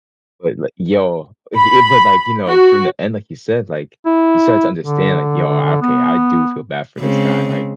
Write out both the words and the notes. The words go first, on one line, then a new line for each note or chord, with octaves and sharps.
But, like, yo, he, but, like, you know, from the end, like you said, like, he started to understand, like, yo, okay. I do feel bad for this guy. Like,
B5
F#4
E4
D3
B3
C#3 G#3 C4